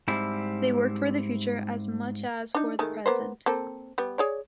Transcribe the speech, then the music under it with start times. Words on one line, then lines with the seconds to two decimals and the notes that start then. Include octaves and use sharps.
They work for the future as much as for the present.
0.08 G#2 G3 C4 E4
2.55 D4 D#4
2.79 D#3 G#3 A3
3.06 A#3 B3 C5
3.46 A#3 C4 A4
3.98 G3 B3
4.18 G#4 C#5 D5